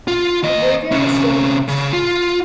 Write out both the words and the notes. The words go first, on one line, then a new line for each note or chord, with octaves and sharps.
The graveyard is still in use.
F4
D#2 D#5
C3 C#4
C#3
F4